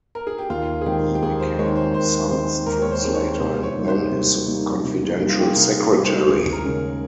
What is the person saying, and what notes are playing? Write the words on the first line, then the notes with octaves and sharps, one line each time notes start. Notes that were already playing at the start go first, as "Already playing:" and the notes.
He became Sun's translator and then his confidential secretary.
A#4
G#4
G4
D#2 F4
G#4
D#3 G#3 C4 G4
G4
D#2 G#4
C5
D#3 G#3 C4 C#5
C5
D#2 C5
D#3 G#3 C4 C5
D#2 A#4
C#5
C5
D#3 G#3 C4
C#5
C3 C5
C#5
G3 A#3 D#4
C5
C3
G3 A#3 D#4
C3
G3 A#3 D#4
F4
G4
G#4
C3 A#4
G#4
G3 A#3 D#4
C5
D#2 G#4
A#4
C#3 G#3 C#4